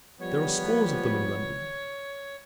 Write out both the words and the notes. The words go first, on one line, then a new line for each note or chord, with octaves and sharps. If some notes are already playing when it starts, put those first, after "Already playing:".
There are scores of them in London.
F3 G3 B3 C#5